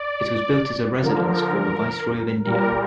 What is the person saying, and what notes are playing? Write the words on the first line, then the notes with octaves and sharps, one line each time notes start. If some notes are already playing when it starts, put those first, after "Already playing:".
It was built as a residence for the Viceroy of India.
Already playing: D5
D3 F3 A#4
A#2 G3 A#4